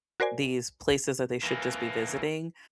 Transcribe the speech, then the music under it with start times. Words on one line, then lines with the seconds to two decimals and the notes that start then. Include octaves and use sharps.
these places that they should just be visiting.
0.20 F#4 A#4 C5 D5 G#5
1.43 E3 A#3